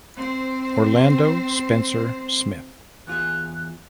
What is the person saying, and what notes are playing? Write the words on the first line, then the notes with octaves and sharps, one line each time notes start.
Orlando Spencer Smith.
C4 C5
E2 F4 G#4 F#6